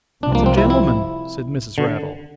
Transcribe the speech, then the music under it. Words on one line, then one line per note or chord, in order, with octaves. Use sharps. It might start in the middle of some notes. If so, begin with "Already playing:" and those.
'It's a gentleman,' said Mrs. Raddle.
C2 C3 F3 D4
A#3
C4
E4
E4
D3